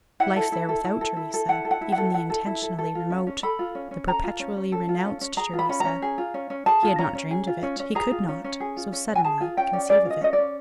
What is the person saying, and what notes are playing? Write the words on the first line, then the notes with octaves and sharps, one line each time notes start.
Life there without Theresa, even the intentionally remote, the perpetually renounced Theresa--he had not dreamed of it, he could not, so suddenly, conceive of it.
E4 F#5
A4
E4
A4
E4
A4
E4
A4
E4 F#5
A4
F#5
E4
F#5
A4
E4 F#5
A4
E4
A4
A4
F4
C#4
C#4
A4 B5
F4
C#4
C#4
A4 A#5
F4
C#4
C#4
A4
F4
C#4
C#4
G#4 A#5
F4
B5
C#4 B5
C#4 A#5
G#4
F4
C#4
C#4
G#4 A5
F4
C#4 A#5
C#4
G#4
F4
C#4
C#4
G#4 A#5
F4
C#4
C#4
G#4
F4
C#4
C#4
G#5
G#4 A5
F4 G#5
C#4 G5
C#4 D5
G#4 D5
F4
D#5
C#4 D#5
D5
C#4